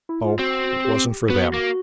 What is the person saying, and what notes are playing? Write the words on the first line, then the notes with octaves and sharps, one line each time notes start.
No, it wasn't for them.
E4
F4
C4 F#4
G4
B3 F#4
A#3